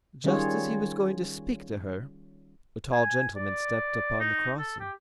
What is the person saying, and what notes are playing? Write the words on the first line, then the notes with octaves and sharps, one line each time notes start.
Just as he was going to speak to her, a tall gentleman stepped upon the crossing.
D#3 G3 C#4 F4 G#4 C#5
G#5
D5
D#4
A4
G4